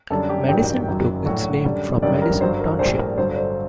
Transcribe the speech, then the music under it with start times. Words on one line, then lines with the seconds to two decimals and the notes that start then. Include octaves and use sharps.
Madison took its name from Madison Township.
0.10 F#2 D3 G3 A4 A5
0.29 G4 G5
0.48 A1 G2 D#3 F#3 G4 G5
0.87 F#1 F#2 D#3 F#3
1.26 A#1 A2 F#3 F#4 F#5
1.64 F#2 D3 G3
2.02 G1 F#2 D#3 G3 D4 D5
2.22 A#4
2.41 G1 G2 F#3 C5
2.60 A#4
2.79 A#1 A2 G3 C5
2.98 A#4
3.18 G1 G2 D3 F#3 C5
3.37 C5